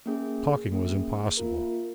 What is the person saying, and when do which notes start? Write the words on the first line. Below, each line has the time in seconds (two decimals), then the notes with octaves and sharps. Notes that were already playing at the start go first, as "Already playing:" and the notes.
Talking was impossible.
0.06 A#3 C#4 G#4
0.72 A#3 C#4 G#4
1.37 A#3 F4 A#4